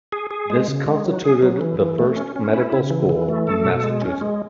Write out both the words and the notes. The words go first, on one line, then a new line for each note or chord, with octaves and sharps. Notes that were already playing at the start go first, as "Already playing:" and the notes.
This constituted the first medical school in Massachusetts.
G#4
G#4
G#3
C#3
G#3
F#3
G#4
F#3
E3
E3
A3
C#4
C#4
E4
C#3
E3
E3
A3
A4
B2
G#3
C#4
G#3